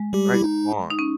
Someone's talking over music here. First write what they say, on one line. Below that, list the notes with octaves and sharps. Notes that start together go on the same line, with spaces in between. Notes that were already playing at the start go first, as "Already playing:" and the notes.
Right on.
Already playing: G#3
G3 G4
E4
D#4
D#4
C#4